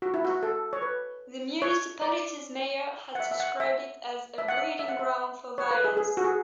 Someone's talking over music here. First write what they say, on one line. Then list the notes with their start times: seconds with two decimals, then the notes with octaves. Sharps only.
The municipality's mayor has described it as "a breeding ground for violence".
0.02 F#4
0.14 E4
0.25 F#4
0.43 A4
0.73 C#5
0.82 B4
1.62 C#5
2.02 D5
3.15 F#5
3.20 E5
3.31 E5
3.40 F#5
3.60 E5
4.38 E5
4.48 F#5
4.57 E5
4.79 E5
4.88 F#5
4.99 E5
5.58 C#5
5.71 B4
5.84 G#4
5.97 G#4
6.17 F#4
6.24 G#4